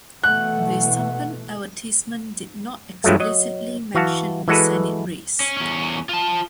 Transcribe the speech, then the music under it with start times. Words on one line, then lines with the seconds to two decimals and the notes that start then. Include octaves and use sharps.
The Suppan advertisement did not explicitly mention the Senate race.
0.24 B2 E3 A3 F#5 F#6
3.04 G2 F3 F#3 G#3 A3
3.20 F#3 D#5
3.95 E3 F#4 F5 A5
4.48 E3 G#3 F#4 A4 B4
5.40 C#4
5.57 E2 C#4
6.09 F4 A5